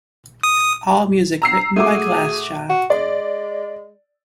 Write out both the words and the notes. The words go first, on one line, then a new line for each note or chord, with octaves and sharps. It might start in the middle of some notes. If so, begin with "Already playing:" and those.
All music written by Glassjaw.
D#6
A#5 E6 C7
A3 F#4 G#4 D6
F#4
G#3 D5